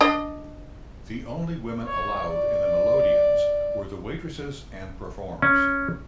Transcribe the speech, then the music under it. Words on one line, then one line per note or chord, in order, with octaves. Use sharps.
The only women allowed in the melodeons were the waitresses and performers.
D4 D#5
C#5
D5
C#4